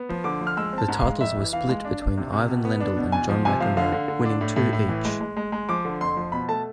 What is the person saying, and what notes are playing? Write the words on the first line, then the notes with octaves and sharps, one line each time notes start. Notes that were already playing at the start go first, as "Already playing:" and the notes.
The titles were split between Ivan Lendl and John McEnroe, winning two each.
Already playing: B3
F3
D3 D6
F3
F6
G#3 E6
C4 A5
G#2
F5
G#3
F2 E5
E3
E3 F5
G#3
D4
D4
C3
C3
B2
B3
D4
B2
E2 G#5
F3
C3 G#5
F3 F5
D3 F5
D3
D3
D4
A2
A2
A2
E3
G#3
G#3
G#3
G#3
F3 D6
D3
F2 C6
F3
B2 B5
A3 A5